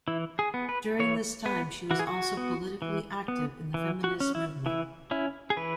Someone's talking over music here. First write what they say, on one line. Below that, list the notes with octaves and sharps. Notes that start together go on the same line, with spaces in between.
During this time she was also politically active in the feminist movement.
E3 E4
G#4
B3
B4
E3 C#5
B3 B4
E3 F#4
G#4
F#4
B3
E3
B3
E3
F#4
C#4
E4
E3 E4
C#4 E4
G#4
E3 B4